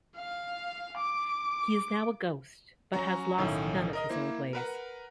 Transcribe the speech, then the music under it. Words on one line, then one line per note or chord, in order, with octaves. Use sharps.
He is now a ghost, but has lost none of his old ways.
F5
D6
F#3 C#4 F#4 A#5
B1 A2 D#3 C#4
A#4 D#5
A#3 E4 C5
A#4 B4 F#5